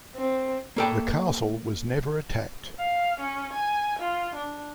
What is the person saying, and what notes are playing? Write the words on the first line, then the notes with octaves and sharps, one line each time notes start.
The castle was never attacked.
C4
A#3 A4 G5
F5
C#4
G#5
F4
D4